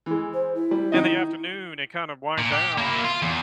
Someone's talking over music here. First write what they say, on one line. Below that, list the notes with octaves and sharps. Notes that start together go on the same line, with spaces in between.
in the afternoon and kind of wind down
E3 G#3
C5
E4
G3
D#3 D#5
A#2
G4
A#3 E4
F4
E2